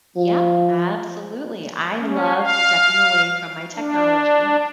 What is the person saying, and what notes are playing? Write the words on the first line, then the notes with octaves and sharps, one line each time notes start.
Yep, absolutely, I love stepping away from my technology
F3
C#4
F5
D4